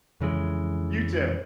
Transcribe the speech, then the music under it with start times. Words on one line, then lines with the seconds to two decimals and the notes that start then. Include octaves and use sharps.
You too.
0.21 F2 C#3 E3 G#3